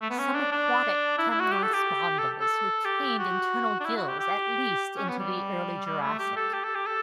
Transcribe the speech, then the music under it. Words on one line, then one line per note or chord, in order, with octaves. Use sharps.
Some aquatic temnospondyls retained internal gills at least into the early Jurassic.
A3
B3
C#4
D4
D4
E4
E4
F#4
G4
A4
G4
A4
A4
G4
F#4
D4
E4
F#4
G4
G4
C#4
B3
G3
G3
A3
G4
A4
G4
A4
G4
A4